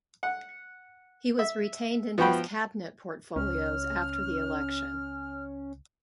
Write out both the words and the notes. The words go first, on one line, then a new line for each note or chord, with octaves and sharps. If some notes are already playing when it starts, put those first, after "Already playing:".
He was retained in his cabinet portfolios after the election.
F#5
E5
F3 B3 F#4 G5 B5
C#2 C#4 F6